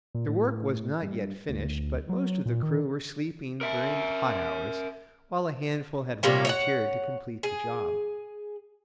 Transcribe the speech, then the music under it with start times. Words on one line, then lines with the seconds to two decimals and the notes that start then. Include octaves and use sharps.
The work was not yet finished, but most of the crew were sleeping during the hot hours, while a handful had volunteered to complete the job.
0.15 A#2
0.28 A2
1.02 G2
1.49 D2
2.09 F#3
2.46 A#2
2.63 D#3
3.61 A#4 E5
6.23 C3 G3 A#3 C#5
6.45 C#5 D#5 F#5
7.43 G#4